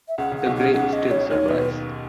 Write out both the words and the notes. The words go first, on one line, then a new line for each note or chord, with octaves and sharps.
The grave still survives.
E5
C#2 C#3 F#5
C#2 C#3
F#5
B1 B2
C#2 C#3 F#5
C#2 C#3 F#5
D#5
C#5
D#2 D#3 C#5
B1 B2 B4